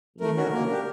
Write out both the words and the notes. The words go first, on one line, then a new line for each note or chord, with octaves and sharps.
you know, and,
A3 A#4
C#4 F#4
A#3
D4 G4